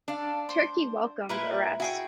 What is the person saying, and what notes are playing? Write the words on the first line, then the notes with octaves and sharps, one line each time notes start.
Turkey welcomed arrests.
D4 A4 F5
C5
A#2 E4 A#4 B4
E4 F#4 G#4 G5